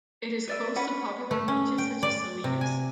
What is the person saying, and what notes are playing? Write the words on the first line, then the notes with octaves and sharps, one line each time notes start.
It is close to popular beaches such as Salinas.
B4 D5 E5
C#4 B4 F#5 B5
A3
C#4
G5
D5
C3
G#5